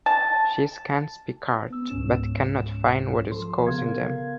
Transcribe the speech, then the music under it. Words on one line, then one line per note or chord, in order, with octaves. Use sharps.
She scans Picard, but can not find what is causing them.
A5
B3 E6
C#2 G#2 C#4 E7
F3 A4 C6
C#3 B3 A#4 F5 G#6